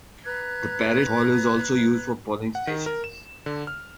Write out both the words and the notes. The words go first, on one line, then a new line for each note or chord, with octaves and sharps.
The parish hall is also used for polling stations.
B4 A#5 F#6 G#6
F#5
D#3
A#4
E7
D3
F6